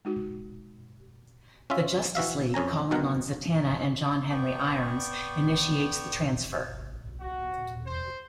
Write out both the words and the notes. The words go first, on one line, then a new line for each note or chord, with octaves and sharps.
The Justice League, calling on Zatanna and John Henry Irons, initiates the transfer.
G#3 D#4 F#4
C#4 F4 E5
E3 F#4 E5 F5
F2 C#4 G#5 A#5
B1 B2 D#3 A#4 F#5
B3 D5 G5 C#6
F#4
C5